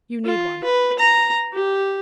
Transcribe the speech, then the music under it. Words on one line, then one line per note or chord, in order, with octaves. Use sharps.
"You need one."
F4
B4
A#5
G4